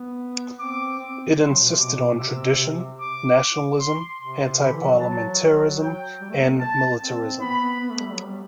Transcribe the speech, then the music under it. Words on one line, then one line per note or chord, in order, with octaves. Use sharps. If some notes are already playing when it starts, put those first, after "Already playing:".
It insisted on tradition, nationalism, anti-parliamentarism and militarism.
Already playing: B3
C4 D6
C4
C6
F#3
B2
C3
B2 D6
C3 E6
C3
D6
C6
C3 C6
D3 B5
E3
F#3
F#3 A5
G5
G3
A3
B3
A5
C4
B3 B5
B3
B3
A3
G3
F#3
G3